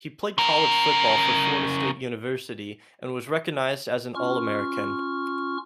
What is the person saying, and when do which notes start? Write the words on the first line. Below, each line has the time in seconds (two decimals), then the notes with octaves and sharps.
He played college football for Florida State University and was recognized as an All-American.
0.38 C#3 A#4
4.15 C#4 F4 C#6 F6